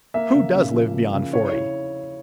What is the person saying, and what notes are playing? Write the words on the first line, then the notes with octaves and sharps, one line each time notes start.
Who does live beyond forty?
A#3 E5
C#3
C#3
F3
C#3
C#3
E4 C#5
E4 C#5